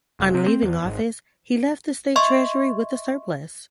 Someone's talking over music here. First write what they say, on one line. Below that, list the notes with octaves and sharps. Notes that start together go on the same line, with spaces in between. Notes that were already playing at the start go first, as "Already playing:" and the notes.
On leaving office, he left the state treasury with a surplus.
F1
C3
C4
E2
G#1
D#5 E5 C6 C#6